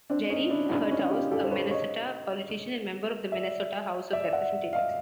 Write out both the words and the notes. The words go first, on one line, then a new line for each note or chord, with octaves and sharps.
Jerry Hertaus - A Minnesota politician and member of the Minnesota House of Representatives.
C4 D4
C#4 D#4
D4 E4
D4 E4
C#4 D#4
F4 G4
G4 A4
C5
B4 C#5
C#5 D#5
D5 E5
D5 E5
E5 F#5
D#5 F5